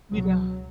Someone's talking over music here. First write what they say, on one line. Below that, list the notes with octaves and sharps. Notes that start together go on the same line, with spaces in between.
You know
C#2 B2 F#3